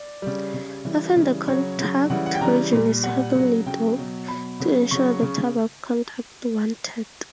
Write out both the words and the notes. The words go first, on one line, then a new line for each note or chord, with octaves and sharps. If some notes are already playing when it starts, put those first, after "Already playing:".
Often the contact region is heavily doped to ensure the type of contact wanted.
Already playing: D5
C#3 G3
C#3 G3
C#3 E3 G3
C#3 E3 G3
C#3 F#3 C#5
C#3 F#3
C#3 E3 G3 F#5
F#5
G5
C#3 E3 G3 A#5
A#2 G3
A#2 G3 F#5
C#3 F#3
C#3 F#3 G5
B2 F#3
B2 F#3 B5
C#3 F#3
C#3 F#3 C#6
C#3